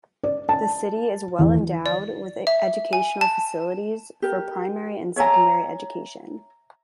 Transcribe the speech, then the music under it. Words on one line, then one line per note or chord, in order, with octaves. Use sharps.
The city is well endowed with educational facilities, for primary and secondary education.
D5
A5
E2
D5
E5
G#5
A5
G4 A#4
C#5 E5 G#5 A#5